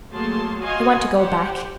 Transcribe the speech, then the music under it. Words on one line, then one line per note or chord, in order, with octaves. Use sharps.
I want to go back.
F#3 A3 A#3 G#4 A5 C6
F#4 D#5 F5 G#5 C6
G4 C5 F#5 G5